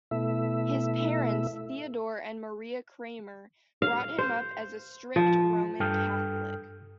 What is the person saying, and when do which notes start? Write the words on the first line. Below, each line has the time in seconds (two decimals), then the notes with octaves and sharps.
His parents, Theodore and Maria Kramer, brought him up as a "strict Roman Catholic".
0.11 B2 A3 E4 E5
3.82 F5
4.18 C5
5.16 F3
5.80 G2 A4 G5 D#6 F6 G6